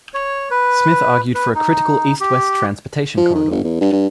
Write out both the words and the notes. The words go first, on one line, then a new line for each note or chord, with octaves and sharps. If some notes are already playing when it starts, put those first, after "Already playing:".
Smith argued for a critical east-west transportation corridor.
C#5
B4
B4
D#4
G4
F3
D#3
G1
E2
G2
G2